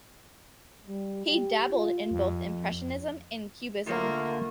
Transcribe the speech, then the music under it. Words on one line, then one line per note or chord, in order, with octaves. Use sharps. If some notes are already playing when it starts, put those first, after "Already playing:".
He dabbled in both Impressionism and Cubism.
G3
G4
F4
F2
D3 A3 A#3 F4